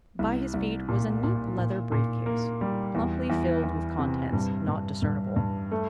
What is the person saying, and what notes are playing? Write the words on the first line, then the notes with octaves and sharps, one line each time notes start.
By his feet was a neat leather brief-case, plumply filled with contents not discernible.
C2
C2
A#2
A#2
A#2
A#2
A#3
G3
E2
E2
E2
C3
G2
G2
G2
G2
A3